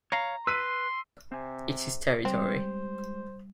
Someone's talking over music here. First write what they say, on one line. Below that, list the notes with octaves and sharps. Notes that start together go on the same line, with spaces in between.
It's his territory.
C#5 F5 A#5
B4 C6 E6 B6 D#7
C3 C4 G#5
G3 G#3 C4 G4 C5